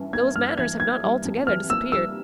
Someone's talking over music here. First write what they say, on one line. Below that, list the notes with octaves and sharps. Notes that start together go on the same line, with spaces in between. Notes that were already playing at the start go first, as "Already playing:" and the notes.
Those manners have not altogether disappeared.
Already playing: G2 E3 C#4
A#3 G#6
G2 F6
E3 G#6
A#3 G#6
G3
F2
E3 F6
A#3 E6
G3 E6